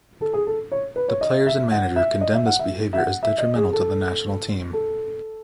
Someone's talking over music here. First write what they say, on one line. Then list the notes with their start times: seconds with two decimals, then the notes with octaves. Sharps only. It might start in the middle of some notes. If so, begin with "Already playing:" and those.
The players and manager condemned this behavior as detrimental to the national team.
0.21 A4
0.33 G#4
0.47 A4
0.72 C#5
0.96 B4
1.08 C#5
1.21 D#5
1.47 E5
1.71 F#5
1.96 E5
2.21 D#5
2.34 E5
2.46 F#5
2.59 E5
2.93 E5
2.98 F#5
3.23 E5
3.38 D#5
3.56 G#4
3.73 A4
4.73 A4